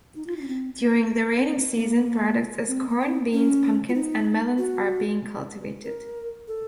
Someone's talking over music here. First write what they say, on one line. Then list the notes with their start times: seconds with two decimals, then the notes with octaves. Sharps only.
During the raining season products as corn, beans, pumpkins and melons are being cultivated.
0.16 D#4
0.27 F4
0.36 D#4
0.41 C#4
0.48 C4
0.80 A#3
1.42 C4
1.74 A#3
2.68 C4
2.89 A#3
3.00 C4
3.32 C#4
3.89 F4
3.94 D#4
4.58 F#4
5.84 A#4
6.48 A4